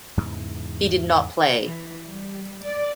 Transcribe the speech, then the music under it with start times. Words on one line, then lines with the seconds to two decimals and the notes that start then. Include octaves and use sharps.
He did not play.
0.17 E2 G#2 C#3 E3
1.60 E3
2.09 G3
2.64 D5